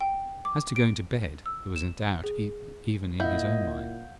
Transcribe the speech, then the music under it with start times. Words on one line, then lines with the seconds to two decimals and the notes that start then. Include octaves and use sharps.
As to going to bed, there was a doubt even in his own mind.
0.01 G5
0.45 D6
0.76 D7
1.46 E6
1.76 E7
2.24 G#4
3.20 A#2 E4 D#5 F5 F#5 G6